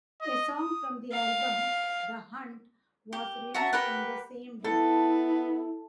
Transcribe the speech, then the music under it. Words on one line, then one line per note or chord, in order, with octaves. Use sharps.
A song from the album, "The Hunt, "was released on the same day.
D#5
D#6
F5
G4
F#4 E5 A5 A#5
G4 A#4 B4 F#5
B3 E4 A4